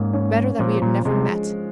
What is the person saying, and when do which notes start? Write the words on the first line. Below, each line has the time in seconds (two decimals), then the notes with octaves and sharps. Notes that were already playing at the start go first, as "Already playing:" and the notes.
Better that we had never met!
Already playing: G#2 A#3 C#4
0.13 C#4
0.59 A#2 F3
0.82 A#2
1.05 C3 G#3